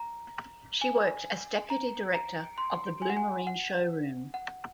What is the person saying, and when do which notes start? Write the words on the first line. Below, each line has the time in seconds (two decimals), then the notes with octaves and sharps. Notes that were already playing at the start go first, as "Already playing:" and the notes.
She worked as deputy director of the Blumarine showroom.
Already playing: A#5
0.81 G#5
1.70 A#5
2.14 A#5
2.58 C6
3.02 G#5
3.10 F#5
3.17 G#5
3.47 F#5
4.34 F#5